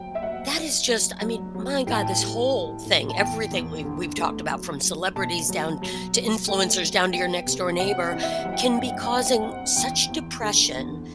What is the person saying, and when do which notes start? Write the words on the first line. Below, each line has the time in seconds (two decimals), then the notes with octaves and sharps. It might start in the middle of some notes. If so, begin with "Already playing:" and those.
that is just I mean, my god. This whole thing, everything we've we've talked about from celebrities down to influencers down to your next door neighbor can be causing such depression,
Already playing: F#3 G5
0.15 E5
0.23 F#3 F#5
0.55 D4
0.88 F#3
1.21 F#3
1.54 F#3
1.87 A2 G5
1.95 A5
2.02 G5
2.20 G3
2.53 G3
2.86 A2
3.10 A5
3.19 E2 G5
3.52 E2
3.84 D3
4.18 A3
4.51 F#3
4.83 F#3
5.16 B2 A5
5.49 F#3
5.82 F#3
6.15 F#3
6.48 A3 G5
6.80 F#3
7.13 B3 G5
7.46 C3
7.79 C3 F#5
8.12 E3 F#5
8.23 E5
8.34 F#5
8.45 F#3 F#5
8.53 G5
8.61 F#5
8.69 G5
8.77 G2 F#5
8.86 G5
8.94 F#5
9.03 G5
9.10 G2 F#5
9.18 G5
9.27 F#5
9.34 G5
9.43 C4 F#5
9.76 E2 G5
10.09 E2
10.42 D3
10.75 E2